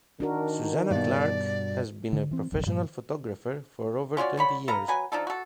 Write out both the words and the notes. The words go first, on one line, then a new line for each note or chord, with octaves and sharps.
Suzanna Clarke has been a professional photographer for over twenty years.
D#3 D4 F#4 A#4
G2 B2 D5
D3
E3 C4
F#1 B1 F2
G2 A#2 F3 G3
C#4 F4 F#4 D5
D3 C#5 B5
A4 B4 F5 A#5
F#3 B4 G#5
F3 D4 D#4 A4
F#4 A4